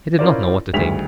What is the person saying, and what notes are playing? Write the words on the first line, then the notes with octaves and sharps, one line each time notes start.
He did not know what to think.
C#4 E4 F4 A#4 C5 D5
D2 D#3 G3 G#4 B6 F7